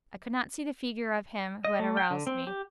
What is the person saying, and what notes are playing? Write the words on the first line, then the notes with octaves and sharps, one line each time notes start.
I could not see the figure of him who had aroused me.
D#5
A3
G5
D3
C4
G4